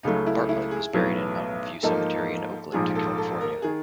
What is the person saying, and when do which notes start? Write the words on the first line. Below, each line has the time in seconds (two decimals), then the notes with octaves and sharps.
Bartlett is buried in Mountain View Cemetery in Oakland, California.
0.03 C#2 C#3 F#3 A3 D#4
0.26 E4
0.49 E4
0.71 G#4
0.93 B1 A2 F#3 B3
1.83 G#2 F3 A#3 D#4 A4
2.72 A#1 G#2 F3 G#4
2.95 A4
3.18 A4
3.41 A#4
3.62 D#3 G#4